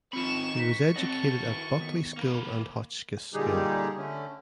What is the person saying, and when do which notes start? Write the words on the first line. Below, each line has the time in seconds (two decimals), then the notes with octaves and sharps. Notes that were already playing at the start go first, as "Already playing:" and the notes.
He was educated at Buckley School and Hotchkiss School.
0.13 D#3 C4 F4 B5 C#6 E7
0.56 D#4 B4 C#6
0.96 C4 F#4 A4 C#5 D#5
1.45 D#3 E4
1.80 D#3 B3
2.18 A#3 B4
3.34 A#2 D3 G3 D#4 G4 G#4
3.97 D3 A3 C#4